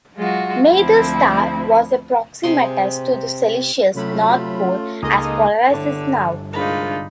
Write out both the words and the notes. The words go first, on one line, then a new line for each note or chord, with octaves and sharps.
Neither star was as proximitous to the celestial north pole as Polaris is now.
F#3 G#3 F4 F#4
D2 F3 C4 E4
C3 G#3 C6
C3 F#3 A3 C#4 F4 B5
C#2 G#3 A#3 D#4 A4 D#5
G1 A2 D3
C2 G#2 A#3 D4 D#4 F4 B5